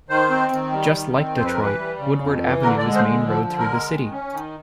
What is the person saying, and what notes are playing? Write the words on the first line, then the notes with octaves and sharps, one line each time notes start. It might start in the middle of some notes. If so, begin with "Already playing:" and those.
Just like Detroit, Woodward Avenue is the main road through the city.
D#3 C5
C4
D#3
G3
D#3
C4
F2 C5
B4
A#4
E3 B4
G3
C#3
F2
E3
D3 A#4
D5
G#3
C5
D3
F3
D3
A#4
G#3
D#3
C#4
D#3